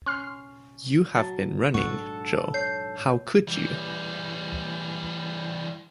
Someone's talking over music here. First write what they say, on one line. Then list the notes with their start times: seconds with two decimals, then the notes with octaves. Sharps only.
You have been running, Jo; how could you?
0.06 C#4 C6 F6 C7
1.15 F#3 A5
1.74 G#2 F#3 D4 A4 F#5 C#6
2.54 C#5 G6 C7
3.48 E3 G3